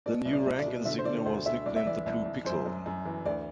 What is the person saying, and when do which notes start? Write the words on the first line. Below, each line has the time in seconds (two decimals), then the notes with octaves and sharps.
The new rank insignia was nicknamed "the blue pickle".
0.06 B2 D5
0.25 C2
0.33 D5
0.46 C2
0.60 D5
0.66 B2
0.85 D3 E5
0.99 C5
1.05 D3 D5
1.26 D2 C5
1.46 D2 E5
1.66 C2 D5
1.76 E5
1.86 E3 D5
2.06 C2
2.25 C2
2.45 F#2 C5
2.66 F#2
2.86 F#2
3.05 E3
3.25 D2 D5